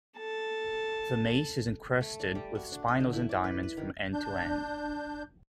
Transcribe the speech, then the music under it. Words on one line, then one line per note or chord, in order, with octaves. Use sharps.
The mace is encrusted with spinels and diamonds, from end to end.
A4 A5
A3
D5
G3
F#4
D4
D#5
D3
E4
D5
B4
B4
D#3
D4 G6